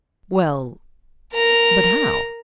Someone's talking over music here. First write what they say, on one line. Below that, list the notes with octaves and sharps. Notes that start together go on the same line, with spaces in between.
"Well; but how?"
A#4 A#5